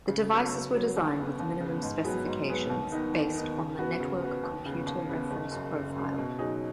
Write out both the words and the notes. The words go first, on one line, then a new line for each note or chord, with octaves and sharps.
The devices were designed with minimum specifications, based on the Network Computer Reference Profile.
C#3
F#3 B3
C#3
F#3 B3
D#2
C#3 B3
D#2
C#3
B3
G#2
F#3 B3 G#4 B4
G#2
F#3 B3 G#4 B4
D#2
D#3 B3 D#4
D#2
D#3 B3 D#4
C#3
B3 F#4 B4
C#3
B3 F#4 B4
D#2
C#3 B3
D#2
C#3 B3
F#1
F#2 C#3
F#1
F#2 C#3
B2
F#3 D#4 G#4